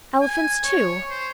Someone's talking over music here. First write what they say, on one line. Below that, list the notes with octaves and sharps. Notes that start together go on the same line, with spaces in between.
Elephants, too!
G#5
C#5
C5